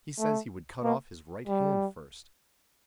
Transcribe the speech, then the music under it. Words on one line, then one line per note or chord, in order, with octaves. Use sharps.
"He says he would cut off his right hand first."
A3
A#3
G3